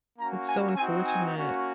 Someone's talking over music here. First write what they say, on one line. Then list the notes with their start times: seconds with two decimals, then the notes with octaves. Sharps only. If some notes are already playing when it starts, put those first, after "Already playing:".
It's so unfortunate.
0.19 A#3 C#4 F#4 A#5
0.48 G#5
0.77 C4 D#4 F#4 G#5
1.06 G#5
1.34 A#3 C#4 F#4